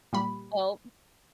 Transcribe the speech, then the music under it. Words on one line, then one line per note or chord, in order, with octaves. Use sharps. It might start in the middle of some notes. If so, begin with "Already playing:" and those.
Well, m
A#2 G3 B5